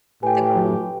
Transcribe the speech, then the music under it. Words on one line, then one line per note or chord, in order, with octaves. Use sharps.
The group.
A2 G4 B4 G5 G#5